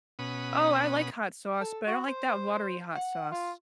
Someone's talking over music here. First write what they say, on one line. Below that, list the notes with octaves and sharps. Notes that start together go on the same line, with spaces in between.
Oh, I like hot sauce, but I don't like that watery hot sauce.
B2 C#4 F#5 B5 D#6
A4
F#4
C5
F#5
F4